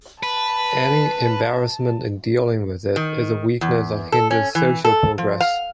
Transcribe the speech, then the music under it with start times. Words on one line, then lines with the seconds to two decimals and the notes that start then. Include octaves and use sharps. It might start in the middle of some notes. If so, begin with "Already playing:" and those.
Any embarrassment in dealing with it is a weakness that hinders social progress.
0.23 B4 A5
2.96 D#3
3.61 E2
4.12 A4
4.31 C#4
4.55 E3
4.85 A4
5.18 F3
5.41 F5